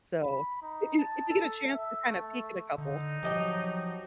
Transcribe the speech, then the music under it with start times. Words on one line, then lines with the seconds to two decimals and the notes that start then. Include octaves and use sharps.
So, if you, if you get a chance to kind of peek at a couple.
0.23 B5
0.63 D#4
0.99 A5
1.30 A4
1.69 E5
2.07 A3
2.78 D3 D#4
3.23 F3 F#3 G4 D#5 G5